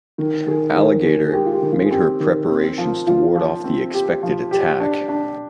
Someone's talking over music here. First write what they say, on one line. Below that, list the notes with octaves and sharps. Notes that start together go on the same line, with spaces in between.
"Alligator" made her preparations to ward off the expected attack.
D#3
D#3 G#4
D#3 G#4
D#3
G#4
G#3 G4
F4
G4
D#3
F4
G#4
C4 G4
D#3
C4
F3
F3 F4
F3
C4
G4
F3
G4
D4
D4